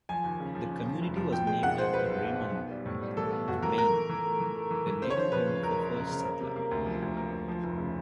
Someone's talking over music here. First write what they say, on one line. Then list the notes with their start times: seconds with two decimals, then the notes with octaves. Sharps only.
The community was named after Raymond, Maine, the native home of a first settler.
0.09 F3 G#5
0.24 D#2
0.40 C#3
0.55 F3
0.71 C#3
0.86 F3
1.01 F1
1.17 F3
1.32 B2 G5
1.47 G#3 G5
1.63 B1 F#5
1.78 G#3 C5
1.93 B2 B4
2.09 B1
2.24 B1
2.40 B1
2.55 B3
2.71 G3
2.86 A2
3.01 G3
3.17 E3 A4
3.32 B3
3.48 A2 F#4
3.63 E3 A#4
3.78 A3 A#4
3.93 E3
4.09 E3
4.25 A3
4.40 E3
4.56 A3
4.71 E3
4.87 E3
5.02 C#3 C5
5.10 C#5
5.17 F3 C5
5.32 F3 B4
5.47 C#3
5.62 E1 A#4
5.78 E1
5.94 C#3
6.09 C#3
6.25 A#3
6.40 C3
6.56 A#3
6.71 D2
6.86 F3
7.02 D2
7.17 A#3
7.33 D2
7.48 F3
7.63 F1
7.78 C#3